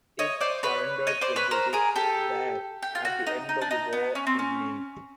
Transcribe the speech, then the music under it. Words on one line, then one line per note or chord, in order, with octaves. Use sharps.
It surrendered to the British there at the end of the war in May.
C#5 D#5
C5 D5
B4 C#5
C#5 D#5
C5 D5
B4 C#5
A#4 C5
G#4 A#4
G4 A4
G4
F4
F#4
D#4
D#4
D4
D#4
B3
C#4
C4
C#4